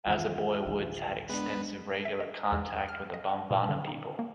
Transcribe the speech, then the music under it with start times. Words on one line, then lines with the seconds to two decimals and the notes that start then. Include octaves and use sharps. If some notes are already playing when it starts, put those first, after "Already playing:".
As a boy Woods had extensive regular contact with the Bomvana people.
0.07 E2 D#3 F4 E5
0.66 A1 D2 E3
1.29 G#3 B3 D4
2.05 E5
2.21 D#5
2.52 E2
2.89 F6
3.14 D#5
3.29 F#5
3.51 A#2
3.69 D3
3.87 D#4
4.19 A#3